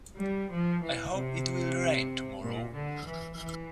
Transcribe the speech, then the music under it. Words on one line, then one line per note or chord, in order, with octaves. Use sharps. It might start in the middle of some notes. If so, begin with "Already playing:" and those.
I hope it will rain tomorrow.
G3
F3
E3
C3
A#2
D3
E3
E3